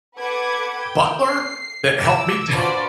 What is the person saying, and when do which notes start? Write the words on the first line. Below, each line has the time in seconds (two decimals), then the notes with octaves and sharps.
butler that helped me down
0.18 A4 B4 F#5 D6 G#6
0.82 G5
1.26 C7
1.97 D6 E6
2.51 D4 F4 F#4 B4 C5 D5